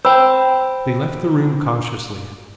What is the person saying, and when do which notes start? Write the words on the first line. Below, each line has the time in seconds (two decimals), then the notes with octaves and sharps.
They left the room cautiously.
0.05 C5 G5 B5 E6